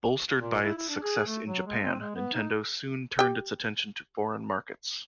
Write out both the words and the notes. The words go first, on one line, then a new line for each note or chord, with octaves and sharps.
Bolstered by its success in Japan, Nintendo soon turned its attention to foreign markets.
A#2
E4
E4
D4
G#4
A3
F#3
G#3
C4
G#3
B3
D#4
G4 G5